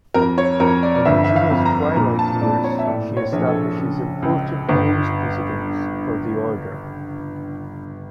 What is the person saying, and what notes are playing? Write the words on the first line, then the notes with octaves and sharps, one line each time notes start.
In Regina's twilight years, she establishes important rules precedents for the Order.
F2 A#4
C#5
F2 A#4
D5
D5
G1 E5
E5
F5
F2
A#5
A#2 A#5
A5
A#2 D5
C#5
E5
A2 D5
C#5
A#1
A4
C#3
C#2
G1